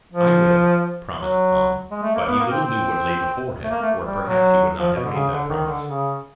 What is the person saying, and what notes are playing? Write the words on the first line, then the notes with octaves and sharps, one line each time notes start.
"I will," promised Tom, but he little knew what lay before him, or perhaps he would not have made that promise.
F3
F#3
G#3
A3
A#3
B3
A#3
C4
C4
A3
A#3
A3
G3
F#3
F3
B2
D3
C#3
D3
D#3
D3
C#3